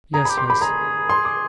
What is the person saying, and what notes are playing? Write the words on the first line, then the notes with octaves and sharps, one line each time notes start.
Yes, yes.
G#4 A#5
G4 B5
C6
G4 B5
G#4 A#5
C6
D6